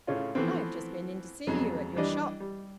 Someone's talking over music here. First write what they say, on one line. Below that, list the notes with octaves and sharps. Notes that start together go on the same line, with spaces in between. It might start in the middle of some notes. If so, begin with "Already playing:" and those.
"I've just been in to see you at your shop."
A2 C#3 C#4 F4
E3 F3 A3 B3 C4
F2 C#3 F#3 G#3 B3 G#4
E3 G3 D4 D#5
G3